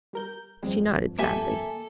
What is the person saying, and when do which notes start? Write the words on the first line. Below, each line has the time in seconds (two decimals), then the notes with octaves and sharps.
She nodded sadly.
0.13 G3 A#4 G6
0.63 G1 F2 G3 G#3 C4
1.19 G3 A#3 G4 A4 E5 G#5